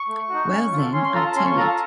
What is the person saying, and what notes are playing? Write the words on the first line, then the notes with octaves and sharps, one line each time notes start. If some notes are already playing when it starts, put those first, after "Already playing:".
Well then, I’ll tell it.
Already playing: C#6
A3
D#4 F#4
C#4
F4
A4
C#4 C6
C6
F4 A4 A#5
A5
C#4 C6
C#6
F4 A4 A#5
A5